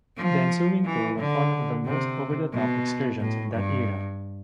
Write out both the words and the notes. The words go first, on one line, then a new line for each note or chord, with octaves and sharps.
The ensuing tour was one of the most over-the-top excursions of that era.
F3
E3
D3
C3
B2
A2
G2